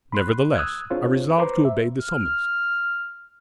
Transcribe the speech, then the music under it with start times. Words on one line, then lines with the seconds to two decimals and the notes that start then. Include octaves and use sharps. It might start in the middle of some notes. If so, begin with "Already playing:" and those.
Nevertheless, I resolved to obey the summons.
0.12 B5 C6 F#6
0.55 D#6 E6 F#6 G#6
0.90 C4 D4 F4 G#4 C5 C#5
1.38 B4 C5 A#5 C6 D6
1.65 E5
2.00 F6